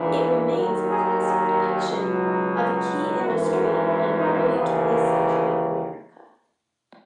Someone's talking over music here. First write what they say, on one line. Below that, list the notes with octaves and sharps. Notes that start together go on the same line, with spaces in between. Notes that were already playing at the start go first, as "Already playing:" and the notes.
It remains a classic depiction of a key industry in early twentieth-century America.
Already playing: A#1 G#2 E3
D#2 D#3 F#3 F#4
G#4
G#4
C#2 B2 F#3
D#4
C#4
G#1 F#2 E3 F#4
F#4
E4
D#4
D#2 C#3 E3 B3
A#3